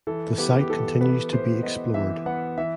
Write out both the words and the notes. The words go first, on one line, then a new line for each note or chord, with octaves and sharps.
The site continues to be explored.
E3 A4
B3 G4
G4
E3 A4
B3 B4
E3 C5
B3 D#5
E3 E5
B3 F#5
E3 E5